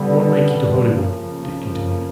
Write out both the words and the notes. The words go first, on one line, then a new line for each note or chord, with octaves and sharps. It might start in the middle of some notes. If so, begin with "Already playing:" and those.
"And what make ye to Holywood?" Dick continued.
Already playing: D3 G3 B3
F2 C#3 F3 A#3